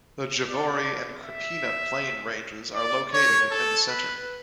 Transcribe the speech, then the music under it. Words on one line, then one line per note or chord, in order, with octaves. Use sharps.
The Javorie and Krupina Plain ranges are located in the centre.
D5
E5
D5
C#5
A4
B4